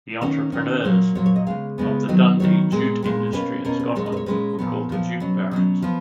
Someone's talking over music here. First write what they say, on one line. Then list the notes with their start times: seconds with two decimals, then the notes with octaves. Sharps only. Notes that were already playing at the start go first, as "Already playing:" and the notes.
The entrepreneurs of the Dundee jute industry in Scotland were called "the Jute Barons".
0.21 D#3 A#3 C#4
0.52 D#3 A#3 C#4
0.84 A#2 F#3 A#3
1.15 A#2 F#3 A#3 C#5
1.26 C#5
1.36 D#5
1.46 C#3 G#3 B3 F5
1.78 C#3 G#3 B3
2.08 D#3 F#3 B3 D#5
2.40 D#3 F#3 B3 C#5
2.71 A#2 G#3 B3
3.02 A#2 G#3 B3
3.33 B2 A#3 C#4 B4
3.65 B2 A#3 C#4 A#4
3.79 B4
3.95 A#2 G#3 C#4 C#5
4.06 D#5
4.12 B4
4.17 C#5
4.26 A#2 G#3 C#4 B4
4.59 A#2 F3 B3
4.90 A#2 F3 B3
5.20 B2 F#3 C#4
5.51 B2 F#3 C#4
5.82 F3 B3